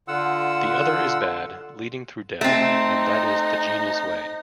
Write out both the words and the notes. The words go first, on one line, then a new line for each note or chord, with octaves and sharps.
The other is bad, leading through death, and that is the genius way.
D3 F4 F#5 E6
A3 C4 D#4